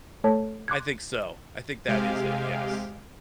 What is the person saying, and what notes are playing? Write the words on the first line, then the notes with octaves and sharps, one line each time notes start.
I think so. I think that is it, yes.
A3 A4 C#5 A5
C6 D6 F#6 G#6
C3 G#3 G4 F5